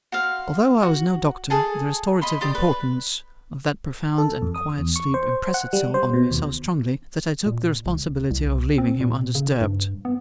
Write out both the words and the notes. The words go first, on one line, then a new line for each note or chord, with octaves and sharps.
Although I was no doctor, the restorative importance of that profound and quiet sleep impressed itself on me so strongly, that I took the responsibility of leaving him undisturbed.
F#4 C5 F5
F#4
G#4 A4 G#5 A5
D#5 B5 C6
G4 D5 C6 D#6
B4
A4
F2
D#6
E2
C#6
C5
F#5
G3
C5
B2
D#2
A#2
C#2
C2
C4
A#2
C#3
G2
B3